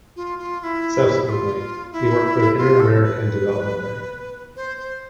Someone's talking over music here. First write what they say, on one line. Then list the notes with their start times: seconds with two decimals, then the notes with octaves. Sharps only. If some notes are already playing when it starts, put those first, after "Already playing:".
Subsequently, he worked for the Inter-American Development Bank.
0.16 F4
0.38 F4
0.60 F4
0.64 E4
1.25 A4
1.30 F4
1.92 E4
2.58 F4
2.80 A4
3.02 B4
4.56 C5
4.78 C5